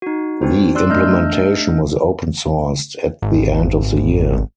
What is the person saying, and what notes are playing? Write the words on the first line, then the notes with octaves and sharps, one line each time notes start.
The implementation was open-sourced at the end of the year.
D#4 F#4
C4 D4 F#4 C5
D5 C6 E6 F#6
A3 D4 D#5 E6 F6 G6
G#1